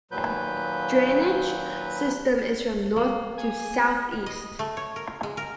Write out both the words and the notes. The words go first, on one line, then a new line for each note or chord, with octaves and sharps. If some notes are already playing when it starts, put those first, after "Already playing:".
Drainage system is from north to south-east.
D#2 A#2 F#3 B4 G6
A#3
G#4 G#5
D#5
A3
C#5
A#4
G#3
A#4